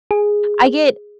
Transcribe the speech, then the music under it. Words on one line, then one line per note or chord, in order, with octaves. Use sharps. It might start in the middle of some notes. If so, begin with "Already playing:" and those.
I get
G#4